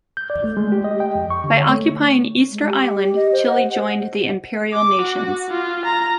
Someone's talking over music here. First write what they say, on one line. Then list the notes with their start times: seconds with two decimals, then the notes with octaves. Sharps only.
By occupying Easter Island, Chile joined the imperial nations.
0.17 G6
0.30 D5
0.44 A3
0.57 G#3
0.72 G4
0.84 D#5
1.00 G5
1.15 F2
1.30 C#6
1.44 D3
1.57 C#5
1.69 A3
2.52 G#3
2.67 G4
3.16 D#5
3.32 C5
3.48 F#5
4.73 D6
5.02 F#4
5.50 F4
5.85 A#5